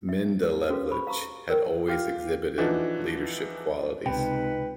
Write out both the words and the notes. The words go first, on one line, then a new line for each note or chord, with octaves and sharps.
Mendelevitch had always exhibited leadership qualities.
E5
C#4 F#4 G#4 A4 B4 F5
G4 C5 B5 C#6
F5 A#5 B5 C#6
A#4 G5
F4 G4
E3 F3 D4 D#4 F#4
C#2 C3 D#4 B4 G5